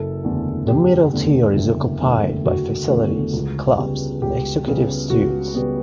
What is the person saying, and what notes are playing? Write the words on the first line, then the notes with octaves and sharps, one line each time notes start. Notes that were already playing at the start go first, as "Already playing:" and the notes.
The middle tier is occupied by facilities, clubs, and executive suites.
Already playing: F#1 A4
E2 D3 A3
F#1 G4
E2 D3 A3
F#1
E2 D3 A3
F#1 F#4
E2 D3 A3
C#2
C#3 G3 B3
C#2 G4
C#3 G3 B3
C#2 F#4
C#3 G3 B3